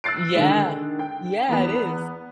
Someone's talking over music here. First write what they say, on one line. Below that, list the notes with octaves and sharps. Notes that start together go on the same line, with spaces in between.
Yeah. Yeah, it is.
E6 F#6 A6 C7 D7
D3 D#3 G#3
G5
E2 B3